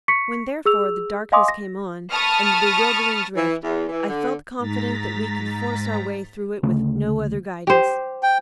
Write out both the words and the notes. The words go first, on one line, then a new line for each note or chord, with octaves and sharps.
When, therefore, the darkness came on, and the bewildering drift, I felt confident that we could force our way through it with no other guidance.
C#6 B6 C#7
G#4 E6 F7
D#5 F5 G#5 C6 D6 D#6
A#6
A5 B5 C#6 D#6 F6
E3
E2
E3
D3
G#2 A#5 A6 B6
D2 C#3 A3
G4 C5
G5